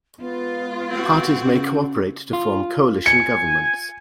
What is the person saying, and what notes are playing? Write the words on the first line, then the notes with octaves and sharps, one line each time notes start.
Parties may cooperate to form coalition governments.
G#3 B3 F4
C4 F#4
C#3
F4
G#5 C#7